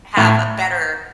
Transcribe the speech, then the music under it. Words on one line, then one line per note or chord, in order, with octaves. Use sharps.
have a better
A2